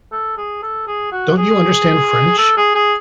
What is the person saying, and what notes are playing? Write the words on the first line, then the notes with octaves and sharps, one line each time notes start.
Don’t you understand French?
A4
G#4
A4
G#4
F#4
G#4
A4
G#4
G#4